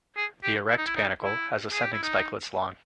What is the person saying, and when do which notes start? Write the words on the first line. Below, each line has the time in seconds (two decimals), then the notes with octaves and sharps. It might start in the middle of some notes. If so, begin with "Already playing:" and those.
The erect panicle has ascending spikelets long.
0.17 G#4
0.44 G4
0.70 E4
0.77 D#4
0.86 E4
0.96 D#4
1.23 E4
1.73 G#4
1.83 G4
1.93 E4
2.03 D#4